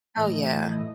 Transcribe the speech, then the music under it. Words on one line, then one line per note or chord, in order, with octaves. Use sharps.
Oh yeah.
A2 E3 A3 D#5
D#5